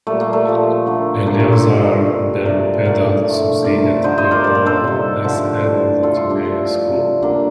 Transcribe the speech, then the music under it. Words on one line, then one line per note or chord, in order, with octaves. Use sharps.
Eleazar ben Pedat succeeded Yohanan as head of the Tiberias school.
A#2 G3 A3
A#3
A3
A#2 F3 A3
D3 A3 A#3
C3 F3 A3 A#3 D4
G4 A#4
F4 A4
D3 G3
A#2 G3
C3 F3 A3 A#4 D5
D3 A3 A#4 D5
A2 F3 A3
C3 F3 A3 A#4 D5
D3 A3 C5 D#5
C5 D#5
A#4 D5
A#2 G3 C5
A#4
A4 C5
C3 D#3 G3
D3 F3 A3
A2 G3
C3 G3 F4 A4
D4 F4
D4 F4
A2 F3 A3
C3 G3
D3 G3 A#3 D4